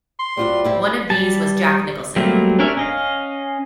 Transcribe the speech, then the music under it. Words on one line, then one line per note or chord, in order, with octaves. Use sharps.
One of these was Jack Nicholson.
C6
G3 C4 F4 F#4
C4 E4 G4
G3 A5
F#3 G3 A3 A#3 C4
C#4 D4 A#4 C#5 E5
C#4 D#5 F5